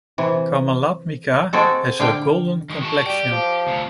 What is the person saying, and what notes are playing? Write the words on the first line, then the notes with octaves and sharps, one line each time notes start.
Kamalatmika has a golden complexion.
C3 E3
G#3 C4 F#4 A4
D3 F5 G5
D#3 G#3
F#4 A5
G3 G4 G5
F3
D2 C3